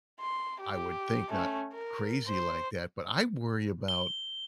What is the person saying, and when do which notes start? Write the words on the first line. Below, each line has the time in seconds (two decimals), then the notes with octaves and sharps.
I would think not crazy like that, but I worry about,
0.20 C6
0.60 G4
1.29 A3 C#4
1.73 A#4
2.27 C5
3.88 G7